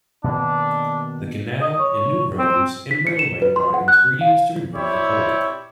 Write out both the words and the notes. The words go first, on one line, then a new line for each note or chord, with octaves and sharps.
The canal and new roads and railway lines were used to remove the coal.
B2 D#3 A#3 D4
D#5
C#5
C4
B6
C#7
E7
B4
C6
F#5
F#6
F5
C4 E4 G4 C#5 D5